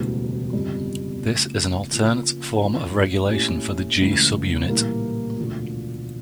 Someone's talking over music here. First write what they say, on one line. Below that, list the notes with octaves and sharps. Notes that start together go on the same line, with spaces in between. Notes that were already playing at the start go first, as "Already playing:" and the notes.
This is an alternate form of regulation for the G subunit.
Already playing: E1 D2 C#3 E3 G3
G1 F2 C#3 G3
C#3 F3 A3
C#3 F3 A#3 C#4 F4
A2 E3 A3 C#4 F4
A#2 A3 C#4 E4 G4
C#2 C#3 E3 A3
A#1 A2 E3 G3 A#3
E1 D2 D3 F3